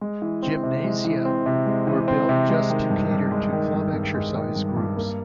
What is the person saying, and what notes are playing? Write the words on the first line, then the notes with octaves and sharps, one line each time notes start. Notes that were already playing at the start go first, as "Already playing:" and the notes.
Gymnasia were built just to cater to club exercise groups.
G#3
E3
C4
C3
G#3
E3
C4
C3
G#3
E3
C4
C3
G#3
D#3
G2
G2
G#3
D#3
G2
G2
G#3
D#3
G2
G2
A#3